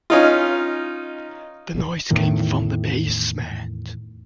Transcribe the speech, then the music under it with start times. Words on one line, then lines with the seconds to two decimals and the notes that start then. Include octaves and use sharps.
The noise came from the basement.
0.10 C#4 D#4 F4
2.10 E2 A2 D#3 E3